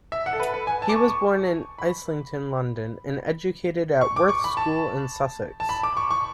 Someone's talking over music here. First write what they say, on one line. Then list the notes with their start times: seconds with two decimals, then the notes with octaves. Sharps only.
He was born in Islington, London, and educated at Worth School in Sussex.
0.12 E5
0.26 F#5
0.33 A4
0.40 B4
0.54 B4
0.67 G#5
0.82 A5
0.89 D6
0.96 C#6
1.09 C#6
1.78 B5
4.01 C#6
4.16 D6
4.29 C#6
4.44 B5
4.57 A5
5.60 A5
5.69 B5
5.83 D6
5.97 C#6
6.11 C#6